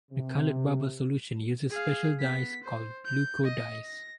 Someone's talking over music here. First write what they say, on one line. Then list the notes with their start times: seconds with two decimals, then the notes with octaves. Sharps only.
The colored bubble solution uses special dyes called leuco dyes.
0.12 C3
1.70 G#4 F5
2.19 B3 B6
2.63 C5
3.05 G6
3.44 D#5
3.84 A#6